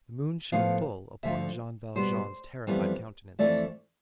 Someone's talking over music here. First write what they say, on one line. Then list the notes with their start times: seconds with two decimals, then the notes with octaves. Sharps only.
The moon shone full upon Jean Valjean's terrified countenance.
0.52 A2 F3 B3 F5
1.23 D2 D3 F3 E5
1.95 B2 G3 B3 C5
2.67 F2 E3 G3 B3
3.39 F2 E3 A3 D5